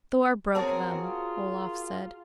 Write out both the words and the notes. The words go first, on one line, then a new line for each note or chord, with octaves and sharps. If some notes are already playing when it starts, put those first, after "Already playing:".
"Thor broke them," Olaf said.
C4 F#4 G#4 A#4 C#5 A5
F4